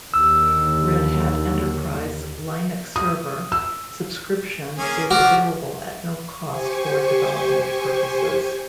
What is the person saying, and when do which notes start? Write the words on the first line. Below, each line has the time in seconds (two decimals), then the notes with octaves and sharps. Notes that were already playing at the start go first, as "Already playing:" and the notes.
Red Hat Enterprise Linux Server subscription is available at no cost for development purposes.
0.14 D#2 D3 E6
2.96 D#6
3.52 E6
4.78 A#3 C#4 G#4
5.11 F3 F#4 D6 F6
6.50 G4 C5 G#5 C#6